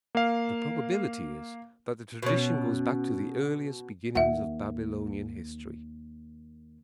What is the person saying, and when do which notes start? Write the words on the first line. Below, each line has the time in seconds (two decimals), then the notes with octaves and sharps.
The probability is that the tradition goes back to the earliest beginnings of Babylonian history.
0.15 A#3 F5
2.22 B2 C#4
4.15 D#2 E5 F#5